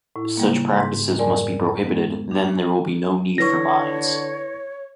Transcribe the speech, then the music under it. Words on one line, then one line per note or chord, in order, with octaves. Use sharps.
Such practices must be prohibited; then there will be no need for mines.
A2 E4
C#3 G3 A#3
G#2 G6
F2 G#2 G3 A#4 D5 G#5
G#3 B3
D4
D3 E4 B4 C#5 C#6 A#6